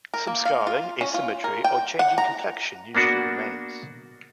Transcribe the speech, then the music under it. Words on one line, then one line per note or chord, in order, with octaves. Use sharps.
Some scarring, asymmetry or change in complexion usually remains.
A#4
A#3
F5
F4
C#4
F4
A#4
G5
F#5
A#5
A#3 B3 D4 F#4